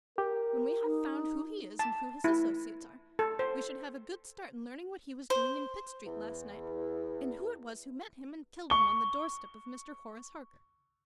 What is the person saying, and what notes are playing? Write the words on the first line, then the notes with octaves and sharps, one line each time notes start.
When we have found who he is and who his associates are, we should have a good start in learning what he was doing in Pitt Street last night, and who it was who met him and killed him on the doorstep of Mr. Horace Harker.
G4 A#4
D#4
A5
E4
A4
C5
C5
E2
C#6 G7